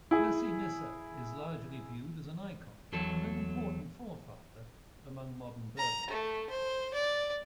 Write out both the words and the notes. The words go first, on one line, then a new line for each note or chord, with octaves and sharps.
Masinissa is largely viewed as an icon and an important forefather among modern Berbers.
E4 G#4
E2 F#3 A4
A#5
A3
C5
D5